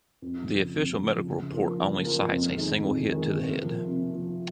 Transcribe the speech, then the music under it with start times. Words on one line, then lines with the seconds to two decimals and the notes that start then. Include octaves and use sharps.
The official medical report only cites a single hit to the head.
0.22 F2
0.49 C#3 F3
0.74 F2
1.01 C#3 F3
1.26 C#3
1.52 F3 A#3
1.79 C#3
2.05 F3 A#3
2.31 F2
2.57 D#3 G#3 D#4
2.83 F2
3.09 D#3 G#3 D#4
3.35 C3
3.61 F3 A#3
3.87 C3
4.14 F3 A#3